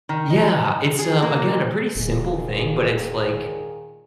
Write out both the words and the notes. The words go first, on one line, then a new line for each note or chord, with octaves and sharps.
Yeah, it's, um, again, a pretty simple thing, but it's like,
D#3
D#4
G#4
A#3
D#1 A#2 D#3 G#4